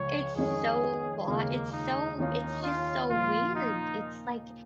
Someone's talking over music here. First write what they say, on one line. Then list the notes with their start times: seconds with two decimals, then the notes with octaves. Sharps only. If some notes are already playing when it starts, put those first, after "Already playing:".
it's so lot it's so it's just so weird. It's, like
Already playing: C#2 C#3 F3 C#5
0.36 F2 D#3 G#3 C#4 G#4
1.27 D#2 C#3 G#3 A#3 F4
1.72 D#4
2.18 D#2 D#3 C#4 D#4 F4
2.63 F4
3.09 A#2 F3 A#3 F4
3.55 D#4